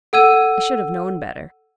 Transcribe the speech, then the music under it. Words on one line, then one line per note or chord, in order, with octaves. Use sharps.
I should have known better.
A4 F#5 E6 G#6 D#7